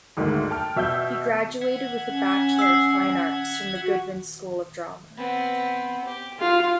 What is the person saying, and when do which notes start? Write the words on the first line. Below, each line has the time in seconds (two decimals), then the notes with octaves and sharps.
He graduated with a Bachelor of Fine Arts from the Goodman School of Drama.
0.17 D2 G#2 D#3 A#3
0.50 G5 A5 F6
0.76 B2 E5 E6 G6
1.61 E5 F#5 G#6
2.07 C#4
2.59 E6 C7
3.83 F#4
5.18 B3 C4
6.05 G4
6.40 F4 F5